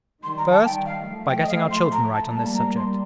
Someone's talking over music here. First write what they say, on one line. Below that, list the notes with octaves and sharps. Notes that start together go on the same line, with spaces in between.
First, by getting our children right on this subject.
D#3 G3 C6
A#5
A5
D#3 G3 G5
F5
F3 A3
G5
D#5
F5
C6
A#5
A5
A#5
G3 A#3 A5
A#5
G3 C6